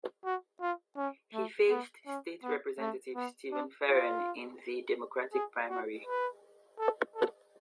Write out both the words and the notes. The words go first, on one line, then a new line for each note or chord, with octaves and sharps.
He faced State Representative Steven Feren in the Democratic primary.
F#4
F4
C#4
A3
B3
C#4
B3
A3
B3
D4
F4
G#4
F#4
B4
A4
A4